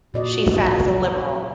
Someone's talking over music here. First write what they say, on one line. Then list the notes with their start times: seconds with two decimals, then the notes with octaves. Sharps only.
She sat as a Liberal.
0.14 A#2 F#4 D5 D#5